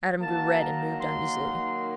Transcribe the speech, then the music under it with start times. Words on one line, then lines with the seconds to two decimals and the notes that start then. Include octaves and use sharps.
Adam grew red and moved uneasily.
0.19 D#3 F#3 A#3 A5
0.60 A#5
1.01 C6